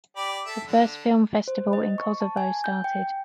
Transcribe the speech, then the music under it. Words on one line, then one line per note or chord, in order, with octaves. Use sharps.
The first film festival in Kosovo started.
G4 D5 B5
A4 E5
D3
C5
D#5
C#6
A5
G#5
G6
G5